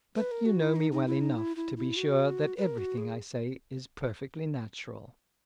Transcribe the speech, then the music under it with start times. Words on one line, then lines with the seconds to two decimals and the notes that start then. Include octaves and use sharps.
But you know me well enough to be sure that every thing I say is perfectly natural.
0.16 B4
0.31 A#4
0.46 F#4
0.60 E4
0.76 D#4
0.92 D#4
1.06 E4
1.21 D#4
1.36 E4
1.56 E4
1.77 E4
1.96 F#4
2.57 B4
2.61 A#4
2.78 F#4
2.97 G#4